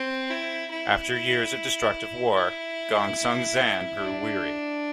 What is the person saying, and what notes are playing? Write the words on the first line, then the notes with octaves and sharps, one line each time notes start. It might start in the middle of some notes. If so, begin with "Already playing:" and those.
After years of destructive war, Gongsun Zan grew weary.
Already playing: C4
E4
E4
E4
D4